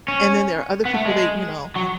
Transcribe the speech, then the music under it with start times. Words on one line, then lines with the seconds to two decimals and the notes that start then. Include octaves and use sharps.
and then there are other people they you know,
0.08 C#4
0.85 B3
0.94 A3
1.06 G#3
1.76 F#3